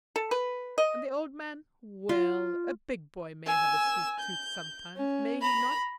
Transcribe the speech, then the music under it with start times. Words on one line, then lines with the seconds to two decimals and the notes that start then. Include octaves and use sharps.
And the old man--well, a big boy may have a sweet tooth sometimes, may he not?
0.16 A4
0.31 B4
0.78 D#5
2.09 F4
3.46 G#5 E6
4.20 G6
4.97 C#4
5.42 A#5 B5